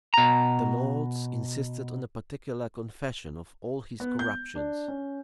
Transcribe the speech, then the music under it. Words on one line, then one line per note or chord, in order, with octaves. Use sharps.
The lords insisted on a particular confession of all his corruptions.
B2 A#5
B3
G6
D4
C#4